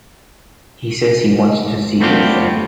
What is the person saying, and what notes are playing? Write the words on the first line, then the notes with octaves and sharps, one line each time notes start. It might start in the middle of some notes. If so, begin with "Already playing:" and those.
He says he wants to see his son.
A3 B3 C4 D4 F4 G4